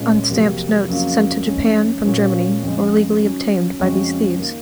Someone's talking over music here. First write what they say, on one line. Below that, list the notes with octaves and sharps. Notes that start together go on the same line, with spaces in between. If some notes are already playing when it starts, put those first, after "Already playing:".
Unstamped notes sent to Japan from Germany were legally obtained by these thieves.
Already playing: A#2 G#3 C#4 F4
F2 C3 F#3 A#3
F2 C#3 F#3 A#3 F4
F2 D#3 G#3 C#4
A#2 F#3 C#4 F4
F2 C#3 G#3
D#3 F#3 C#4
F2 C#3 G#3 C#4 F#4
D#3 A#3